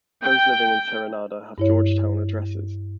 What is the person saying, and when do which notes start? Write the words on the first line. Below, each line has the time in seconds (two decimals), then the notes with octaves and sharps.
Those living in Serenada have Georgetown addresses.
0.23 G5
1.58 G2 E4 C#5